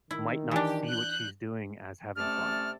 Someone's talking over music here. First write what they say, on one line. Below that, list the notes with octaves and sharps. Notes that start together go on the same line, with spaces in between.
might not see what she's doing as having fun.
D#3 E4
E3 D4 G4
F#6 G6
C3 A3 C#4 A4 D5 F6